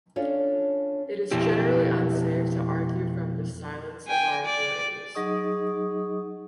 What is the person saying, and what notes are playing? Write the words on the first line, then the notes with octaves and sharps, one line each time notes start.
It is generally unsafe to argue from the silence of our authorities.
C#4 D4 F4 A4 C#5 D5
F2 B2 E4 G4
G5 G#5
D5
F#3 D#4 G#4 D#5 C#6 D#6